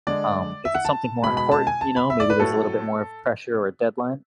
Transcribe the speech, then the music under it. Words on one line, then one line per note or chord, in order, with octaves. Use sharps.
Um, If it's something more important, you know, maybe there's a little bit more of pressure or a deadline.
D3 G#3 D5
E5
F#5
A5
B2 G#3 B5
B5
A5
G#5
A5
B5
E5
D5
B4
A2 F#3 A3 A4